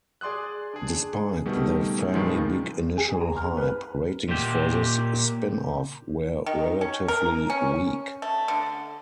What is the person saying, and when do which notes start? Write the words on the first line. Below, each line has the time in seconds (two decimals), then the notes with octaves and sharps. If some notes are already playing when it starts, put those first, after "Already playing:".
Despite the fairly big initial hype, ratings for this spin-off were relatively weak.
0.21 G#4 D5 C6 D#6 F#6
0.74 D4 G#4
1.45 B2 D#3 G3 A3
2.12 G2 A#2 D#3 F3 G#3
2.98 G#4
3.21 A#5
3.37 F6
3.57 B4
4.29 A#2 G4
6.46 D#3
6.81 C#4
7.08 A#4
7.50 C#4
8.22 A3
8.48 D3